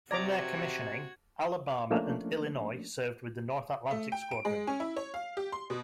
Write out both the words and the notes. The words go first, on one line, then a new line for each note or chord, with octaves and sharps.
From their commissioning, "Alabama" and "Illinois" served with the North Atlantic Squadron.
C3 F#4 D5 A#5 D6 G#6
F3 A3 A#3 C#4 D4
A3
G5
D7
G#3
C#4
E4
C#5
F5
G4
C6
B2